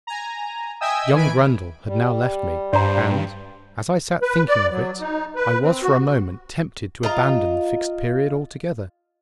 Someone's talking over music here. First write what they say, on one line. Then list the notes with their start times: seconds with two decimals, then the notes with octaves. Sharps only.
Young Grundle had now left me, and as I sat thinking of it I was for a moment tempted to abandon the Fixed Period altogether.
0.07 G#5 A#5
0.81 D#5 E5 G5 G#5 D#6 E6
1.14 D#3 E3 G#5 B5 D7
1.87 G3
2.73 G2 C5 D5 A#5
4.22 B4
4.48 D5
4.71 F#3
5.00 D#4
5.36 B4
5.62 C4
5.82 F#4
7.03 F4 D#5 A#5